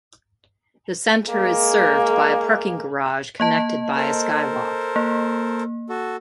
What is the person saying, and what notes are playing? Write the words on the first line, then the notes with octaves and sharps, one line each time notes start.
The center is served by a parking garage connected by a skywalk.
G#3 A#3
A#3 D#5 A5
A4 A#4 C5
A#3
F#4 A4